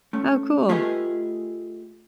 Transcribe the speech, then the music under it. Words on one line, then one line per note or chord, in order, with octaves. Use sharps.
Oh, cool.
A3 C#4
A3 F4 G4 G#4 B4 D#5